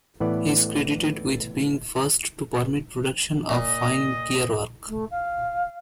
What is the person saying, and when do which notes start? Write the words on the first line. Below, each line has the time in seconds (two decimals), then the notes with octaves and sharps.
He is credited with being first to permit production of fine gear work.
0.20 A2 E3 B3 D5
3.49 A#2 D#5
4.88 A3
5.11 F5